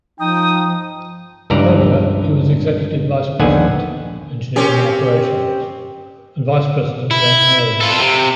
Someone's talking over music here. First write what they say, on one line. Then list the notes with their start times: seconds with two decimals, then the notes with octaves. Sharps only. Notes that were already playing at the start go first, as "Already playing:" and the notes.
Earlier, he was Executive Vice President, Engineering and Operations; and Vice President of Engineering.
0.20 F3 D#4 G5 D#6
1.50 C#2 G2 E3 D5 A#5
3.39 A#1 D#2 D3 B3 F#5 G#5
4.56 C4 C#4 G4
7.11 E4
7.81 F4 A4
7.99 C3